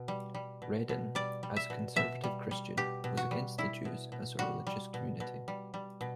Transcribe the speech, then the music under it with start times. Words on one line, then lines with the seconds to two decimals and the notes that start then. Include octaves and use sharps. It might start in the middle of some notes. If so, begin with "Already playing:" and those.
Rhedin, as a conservative Christian, was against the Jews as a religious community.
Already playing: B2
0.08 G3
0.34 G3
0.62 B2
0.89 B2
1.15 G3 D5
1.43 G3
1.56 E5
1.70 B2
1.96 B2 E5
2.24 G3
2.51 G3
2.77 B2 G4
3.04 B2
3.17 F#4
3.31 G3
3.58 G3 E4
3.85 B2
4.12 B2
4.39 G3 F#4
4.67 G3
4.94 B2
5.20 B2
5.48 G3
5.74 G3
6.01 B2